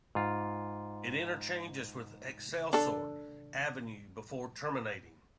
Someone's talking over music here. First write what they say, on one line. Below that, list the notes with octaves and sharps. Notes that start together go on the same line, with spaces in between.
It interchanges with Excelsior Avenue before terminating.
G#2 F4
D4 A4